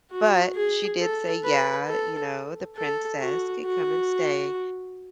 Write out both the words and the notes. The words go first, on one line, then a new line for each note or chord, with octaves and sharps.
But she did say, "Yeah," you know, the princess could come and stay
F#4
G#4
A4
B4
A4
A4
F#4
F#4